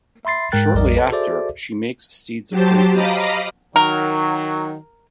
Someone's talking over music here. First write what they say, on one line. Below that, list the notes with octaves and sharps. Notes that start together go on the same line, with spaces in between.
Shortly after, she makes Steed's acquaintance.
E5 B5 C6 A6 C7
G#2 G#3 A#4 G5 F#6 A6
A#1 F2 G3 A#4 D5 D#5
A4 B4 C#5 A5
F#4 G#4 A4 C5 D5 E5
F#3 G4 C5 A5
D#5 F5 A#5 B5 D6 D#6
D#3 F#3 A#4 A#5